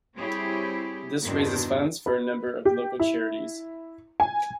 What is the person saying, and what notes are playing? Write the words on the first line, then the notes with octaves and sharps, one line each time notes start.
This raises funds for a number of local charities.
G3 C4 E4 G4 G#4 C#5
E2 G2 B2 D#3 C4 D4
B4
G4
E4
G#5